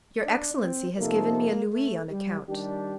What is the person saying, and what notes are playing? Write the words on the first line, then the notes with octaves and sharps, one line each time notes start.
"Your excellency has given me a louis on account."
D4
C4
C3 F3 A3 A#3 D#4 A4
A#3
A3
G3
D#3 G3 D4 G4